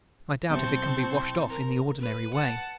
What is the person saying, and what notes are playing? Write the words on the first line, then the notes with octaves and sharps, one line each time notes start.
I doubt if it can be washed off in the ordinary way.
B1 C3 C4 E4 A5 C#6 G6
A#4
B4
F#5 A5